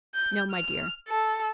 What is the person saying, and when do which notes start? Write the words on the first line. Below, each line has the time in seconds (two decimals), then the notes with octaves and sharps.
"No, my dear."
0.15 G6
0.51 F6
1.08 A4